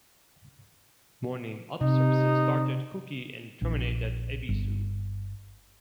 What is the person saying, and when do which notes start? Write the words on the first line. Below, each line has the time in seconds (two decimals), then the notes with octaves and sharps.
Morning "Up" services start at Kuki and terminate at Ebisu.
1.81 C3 D#4
3.62 A#1
4.49 G1